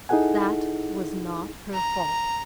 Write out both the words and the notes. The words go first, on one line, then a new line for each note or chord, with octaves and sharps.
"That was not her fault."
D#4 E4 G#4 A4 F#5 G#5
A#5